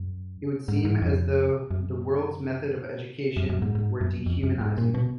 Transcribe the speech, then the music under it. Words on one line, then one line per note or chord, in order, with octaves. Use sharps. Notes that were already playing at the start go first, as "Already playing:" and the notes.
It would seem as though the world's method of education were dehumanizing.
Already playing: F#2
G#2
G#2
F2
F#2
F#2
F#2
G#2
G#2
F#2
F2
F#2
G#2
A#2
B2